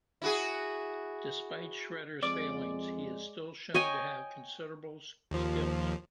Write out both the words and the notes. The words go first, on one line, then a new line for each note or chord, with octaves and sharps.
Despite Shredder's failings, he is still shown to have considerable skills.
E4 F#4 G#4
F2 G#3 D5
C#5 D#5 G5 G#5
D#2 F3